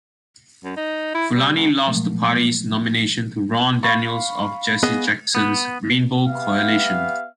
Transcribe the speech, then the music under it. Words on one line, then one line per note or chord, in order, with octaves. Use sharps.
Fulani lost the party's nomination to Ron Daniels of Jesse Jackson's Rainbow Coalition.
F#2
D#4
E4
G3
C#2
A#2 F3 F#3 G#3 A3
F5 B5 C#6
B3 G#4 D#5
B3
B3 G4 E5 F5